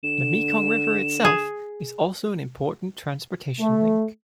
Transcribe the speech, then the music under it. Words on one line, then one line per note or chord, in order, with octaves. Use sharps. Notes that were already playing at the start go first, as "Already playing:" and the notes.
The Mekong River itself is also an important transportation link.
D3 E7
G#4
A3